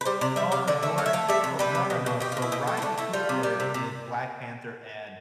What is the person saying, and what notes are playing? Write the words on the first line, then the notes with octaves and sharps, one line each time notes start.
Oh, my Jordan Peele no, no, no, so, Ryan Coogler did Black Panther and
B4
G3 C5
C3 D5
G3 E5
C3 F5
D3 D5
A3 E5
A3 F5
E5
A3 F5
G3 E5
C3
G3 B4
C3
B2
B2
B2 G4
F4
B2
E4
B2
A3
E4
A3 D4
A3 E4
G3 F4
C3
G3
C3
C3